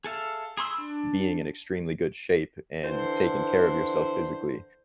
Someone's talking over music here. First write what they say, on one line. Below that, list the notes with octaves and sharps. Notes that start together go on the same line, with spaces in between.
being in extremely good shape and taking care of yourself physically.
G#4 A4 E5 F5
G#4 B5 C6 E6
D4
D3 E3 C5